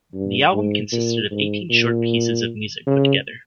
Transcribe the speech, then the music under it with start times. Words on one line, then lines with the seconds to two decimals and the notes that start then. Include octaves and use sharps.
The album consisted of eighteen short pieces of music put together.
0.14 G2
0.53 G#2
0.92 A#2
1.31 G#2
1.70 A#2
2.87 C#3